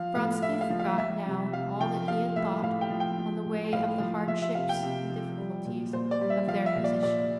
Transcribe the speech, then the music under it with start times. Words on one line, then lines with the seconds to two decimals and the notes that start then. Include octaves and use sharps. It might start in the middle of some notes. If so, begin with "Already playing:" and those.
Vronsky forgot now all that he had thought on the way of the hardships and difficulties of their position.
Already playing: F3 F5
0.15 A2 F5
0.42 A2 E5
0.61 F5
0.70 F3
0.79 F5
0.98 F3 E5
1.26 C3
1.53 C3 F5
1.81 F3 G5
2.08 F3 F5
2.36 A2 E5
2.62 A2 F5
2.81 G5
2.90 F3
3.00 G5
3.18 F3
3.45 A2
3.73 A2 F5
4.00 F3
4.28 F3 E5
4.42 E5
4.55 C3 F5
4.69 G5
4.83 C3
5.10 F3
5.38 G3
5.66 A#2
5.93 A#2 C5
6.11 D5
6.21 G3
6.30 E5
6.48 F3 F5
6.66 E5
6.75 A#2
6.84 D5
7.03 A#2 D5